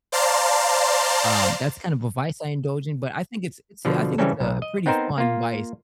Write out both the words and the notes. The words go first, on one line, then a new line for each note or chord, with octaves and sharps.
um, that's kind of a vice I indulge in, but I think it's it's I think it's a, a pretty fun vice
C5 D5 F5 A5 A#5 C6
B2 D3 F3
C#3 E3 G3 C4 C#4 A4
B1
D#5
B3 C4 D#4 A#4 C5
A#3 F4